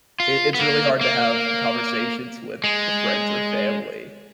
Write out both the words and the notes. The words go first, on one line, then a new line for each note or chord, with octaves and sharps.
it it's really hard to have conversations with friends or family
F4
B3
A#3
A#3
G#3